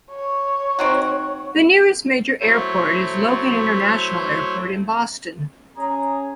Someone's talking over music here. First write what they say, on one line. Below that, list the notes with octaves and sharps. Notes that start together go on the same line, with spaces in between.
The nearest major airport is Logan International Airport in Boston.
C#5
C4 D#4 F#4
F#3 A3 E4 C5 C#5
C#4 G#4 A#5